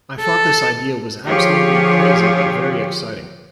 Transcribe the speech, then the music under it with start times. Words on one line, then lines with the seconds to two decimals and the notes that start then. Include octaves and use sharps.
I thought this idea was absolutely crazy but very exciting.
0.20 A4
1.26 D3 F3 F4 G4 G#4 C#5